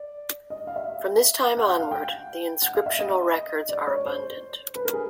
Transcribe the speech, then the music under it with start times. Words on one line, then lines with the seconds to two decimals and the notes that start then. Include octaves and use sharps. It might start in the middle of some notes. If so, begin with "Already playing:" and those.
From this time onward, the inscriptional records are abundant.
Already playing: D5
0.50 D#5
0.67 F5
0.76 E5
1.57 F#5
1.68 F#5
1.80 F5
1.91 G5
2.63 F#5
2.75 F5
2.86 E5
2.99 D#5
3.69 D5
3.88 C#5
4.06 C5
4.76 B4
4.85 A#4
4.93 G#4